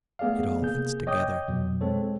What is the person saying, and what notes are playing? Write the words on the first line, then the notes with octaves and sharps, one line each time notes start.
It all fits together.
A3 B3 G#4 D5 F5
C3 A#3 G#4 G6
C#5 D#5 G5 D6 D#6 G6
F2 B2 F#3
G#3 C4 A4 C#5